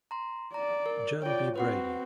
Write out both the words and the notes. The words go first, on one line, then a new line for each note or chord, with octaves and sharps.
John B. Brady.
A#5 C6
D5 A#5
A#4
F4 C#5 D5 G5
C4 F#4 B4 F#5 C7